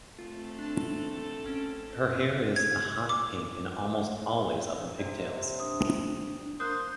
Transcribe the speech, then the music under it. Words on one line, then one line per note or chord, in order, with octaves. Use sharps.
Her hair is a hot pink and almost always up in pigtails.
A3 C4 F4 A4
D4 A5
G#1 C#4 D7
G#6
D6
C3 D5
D4 D#6
A#3 C5 D#6 F#6